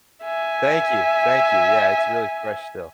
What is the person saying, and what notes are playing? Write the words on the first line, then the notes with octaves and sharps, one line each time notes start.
thank you, thank you. Yeah, it's really fresh still.
E5 G#5